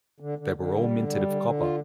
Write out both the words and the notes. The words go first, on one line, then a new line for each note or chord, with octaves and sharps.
They were all minted of copper.
D3
D3
D3
G3
D3
G3
D3
D3
F4